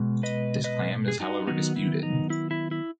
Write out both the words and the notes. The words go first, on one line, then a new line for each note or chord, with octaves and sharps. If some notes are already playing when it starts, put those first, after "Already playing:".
This claim is however disputed.
Already playing: B2 G#3
B4 D#5
B4 D#5
G#4
D#4 F#4
D#3 F#3 B3 D#4 F#4
E4
D#4
E4
E4
E4